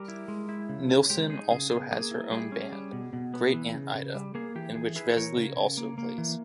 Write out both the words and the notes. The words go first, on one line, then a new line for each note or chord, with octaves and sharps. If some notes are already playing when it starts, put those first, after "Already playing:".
Nilsen also has her own band, Great Aunt Ida, in which Vesely also plays.
Already playing: G3 G4 A#4
E4
G#3
E4
C#3
C#4
G#3 G4
D#4 G#4
C#3 G#4
B3 G#4
A#3 G#4
E4
G3 G#4
C#4
G3
B2
B2
B3
E3
C#3
C#3
G3
A#3 G#4
E3 G4
E3 G#4
E4 G#4 B4
E3 A#4 C#5
C#3
C#3
A#3
A#3
E3